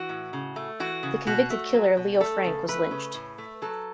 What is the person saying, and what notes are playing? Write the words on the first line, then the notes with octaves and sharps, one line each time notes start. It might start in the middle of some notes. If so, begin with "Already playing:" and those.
The convicted killer, Leo Frank, was lynched.
Already playing: E3 F#4
A2
C#3
A3
E3 F#4
C#3
B2 F#4
A3
F#3
B2
A3 A4
C#3
A3 B4
C#3
A2
A3
F#3 A4